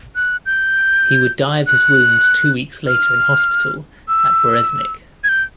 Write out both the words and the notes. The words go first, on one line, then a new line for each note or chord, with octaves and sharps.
He would die of his wounds two weeks later in hospital at Bereznik.
F#6
G6
F#6
F6
E6
G#6
G6